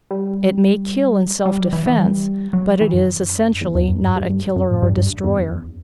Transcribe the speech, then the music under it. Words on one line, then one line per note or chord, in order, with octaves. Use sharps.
It may kill in self-defense, but it is essentially not a killer or destroyer.
G3
G3
F#3
E3
E3
G3
F#3
E3
F#2
E2
E2
F#2
G2
G2
G2
F#2
A2
G2
G2
E2
F#2
E2